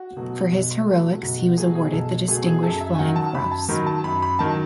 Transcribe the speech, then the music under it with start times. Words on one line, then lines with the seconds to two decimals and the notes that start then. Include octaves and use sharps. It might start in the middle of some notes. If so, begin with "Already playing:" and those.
For his heroics he was awarded the Distinguished Flying Cross.
Already playing: F#4
0.17 B2 F#3 A3
0.52 B1
0.87 B2 F#3 A3
1.23 B1 F#4
1.39 F#4
1.57 B2 F#3 A3 G#4
1.69 F#4
1.75 G#4
1.93 B1 A4
2.28 B2 F#3 A3 G#4
2.46 G#4
2.63 F#2 A4
2.81 E5
2.95 G#5
2.99 D#3 F#3 F#5
3.16 A5
3.34 F#2 B5
3.51 A5
3.69 D#3 F#3 B5
3.86 A5
4.04 F#2 B5
4.22 B5
4.39 D#3 F#3 A5